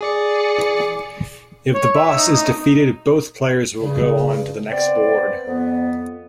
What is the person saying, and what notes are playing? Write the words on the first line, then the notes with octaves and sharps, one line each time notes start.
If the boss is defeated, both players will go on to the next board.
G#4 D5 C#7
C#5
E5
D#4
D#4
G2 C#3
B3 C4 C5 D5
F2 B3